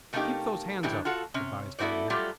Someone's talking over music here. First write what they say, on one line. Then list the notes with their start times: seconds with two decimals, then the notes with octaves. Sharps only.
"Keep those hands up!" advised Ogden.
0.13 C3 A3 A#3 C#4 D#4 G4
0.83 A2 D3 E3 G3 G#3
1.05 F4 F#4 A4 F#5
1.34 C3 C#4
1.79 A3 B3 E4 F#4 C5 D5
2.10 F#3 G3 A3 F4 G4